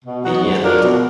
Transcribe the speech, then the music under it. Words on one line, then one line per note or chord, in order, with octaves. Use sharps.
A year later.
B2
F#3 B3 D#4 F#4
G#2
F#3 D4 F4 A#4
B2